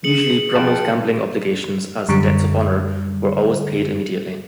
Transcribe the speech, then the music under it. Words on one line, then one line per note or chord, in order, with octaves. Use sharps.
Usually Brummell's gambling obligations, as "debts of honour", were always paid immediately.
G#4 C#7 F#7
F2 F4 G5 A5
F#2 D3 G3